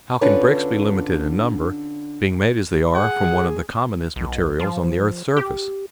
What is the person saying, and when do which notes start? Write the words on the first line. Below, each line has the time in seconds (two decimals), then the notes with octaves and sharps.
How can bricks be limited in number, being made as they are from one of the commonest materials on the earth's surface?
0.21 D3 C#4 D4 F4 B4
2.95 G#4 F#5
4.16 B1
4.60 F3
5.37 G4